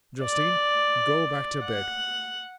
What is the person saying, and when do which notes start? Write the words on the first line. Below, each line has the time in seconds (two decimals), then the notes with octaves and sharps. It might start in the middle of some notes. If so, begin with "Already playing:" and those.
Justine, go back to bed.
0.22 D5
1.65 F#5